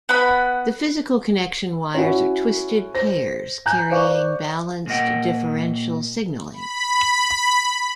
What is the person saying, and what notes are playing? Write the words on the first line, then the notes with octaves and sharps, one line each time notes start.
The physical connection wires are twisted pairs carrying balanced differential signaling.
B3 F#5 B5
C#4 E4 F#4
C5 A#6
G#5 A#5 F#6 G6
C5 D5 F5 C#6
A#2 A#3 D#5 F#5 G5
B5